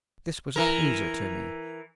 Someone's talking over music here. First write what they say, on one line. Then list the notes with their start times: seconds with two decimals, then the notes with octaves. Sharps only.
This was a poser to me.
0.56 E3 A#4